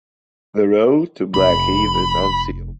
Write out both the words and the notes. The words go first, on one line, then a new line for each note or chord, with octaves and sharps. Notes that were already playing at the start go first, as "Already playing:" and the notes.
The road to Blackheath is unsealed.
F1 F2 B5